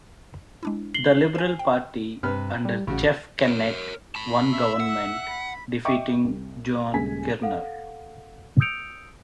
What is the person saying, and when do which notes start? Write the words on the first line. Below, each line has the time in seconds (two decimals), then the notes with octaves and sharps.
The Liberal Party, under Jeff Kennett, won government, defeating Joan Kirner.
0.63 G#3 D4 E4
0.94 C7 F#7 G7
1.35 C5 G#5
1.59 G5
2.23 G2 C3 B4 F6
2.65 G3
2.87 A1 C#3 F#4
3.43 A#4 C#5
4.15 A5 B5
4.51 E5 E6
4.80 F#5
5.28 B5
5.85 D#5 E5 G5 C#6 D6
6.24 C2
6.93 D#1 C#3 G#3 G#5 B6
7.42 A4 F5 F#5
8.60 D#6 E6 G6 C#7 D7 F7